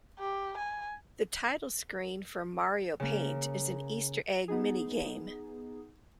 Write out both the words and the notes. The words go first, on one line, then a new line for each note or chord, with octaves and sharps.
The title screen for "Mario Paint" is an Easter egg mini-game.
G4
G#5
C#3 A#3
B3 D#4 G#4